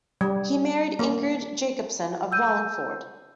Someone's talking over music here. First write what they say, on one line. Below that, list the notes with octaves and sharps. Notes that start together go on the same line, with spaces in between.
He married Ingrid Jacobson of Wallingford.
G3
A#3
E6 G6 D#7